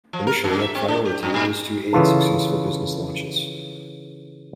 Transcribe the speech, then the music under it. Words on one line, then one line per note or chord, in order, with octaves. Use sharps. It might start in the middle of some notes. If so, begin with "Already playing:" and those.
Initially, a priority is to aid successful business launches.
F3
A#4
F#2
E5
C4
D4
G4
G2
A#2
C#3 E3 F4 A4